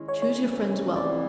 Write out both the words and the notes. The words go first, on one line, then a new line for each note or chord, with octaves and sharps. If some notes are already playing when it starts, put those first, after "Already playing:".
Choose your friends well.
Already playing: D#3 G#3 C#4 E4
C#5
C#5
C3 E3 G3 A#3 C#4
E3 G#3 C4 D5